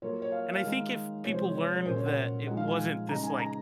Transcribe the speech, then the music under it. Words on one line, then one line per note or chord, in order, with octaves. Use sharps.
and I think if people learned that it wasn't this, like,
F#3 A#3 F4 C#5
C#5
F5
F5
D#3 G#3 D#4
C3 F3 G#3 C#5
C5
C#5
C#5
C#5
A#2 F#3 A#3 C#4 F4 C5
C#5
F#5
F3 G#3 D#4 F#5
F5
G#5
C#3 G#3 D#4 A#5
G#5
A#5